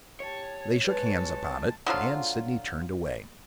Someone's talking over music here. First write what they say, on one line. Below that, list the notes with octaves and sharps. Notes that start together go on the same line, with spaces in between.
They shook hands upon it, and Sydney turned away.
G4 C#5 A5
G#3 B4 A5
D3 F3 F#3 F4